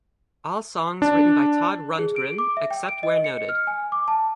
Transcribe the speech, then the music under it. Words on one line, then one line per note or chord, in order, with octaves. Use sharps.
All songs written by Todd Rundgren, except where noted.
D4
G#4
D7
D6
E5
G5
D7
D#5
C#7
F6
G#5
D6
A5